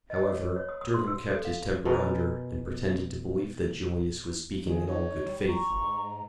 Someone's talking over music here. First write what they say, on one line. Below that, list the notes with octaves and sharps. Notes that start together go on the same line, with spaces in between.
However, Durham kept his temper under, and pretended to believe that Julius was speaking in all good faith.
D#5
C#5
C#5
C#5
D#6
D#6
C6
E6
A4
F5
B2 G#4 A#4
D#3 G#4
D#4 C#5
G3
A#5 C#6
G1
G#2